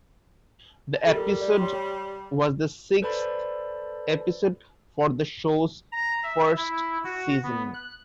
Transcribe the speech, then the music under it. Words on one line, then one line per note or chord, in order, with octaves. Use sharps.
The episode was the sixth episode for the show's first season.
G3 A4 A#4
D5
C#5 G5 C6
A4 B4 C5 D5 A5 B5
A#5
E5
E4
F#4
B3
F#6